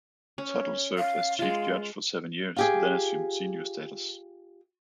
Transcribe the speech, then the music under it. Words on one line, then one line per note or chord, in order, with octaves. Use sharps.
Tuttle served as chief judge for seven years, then assumed senior status.
C#4
F5
G#3 F4 F5
F4 G4 G#4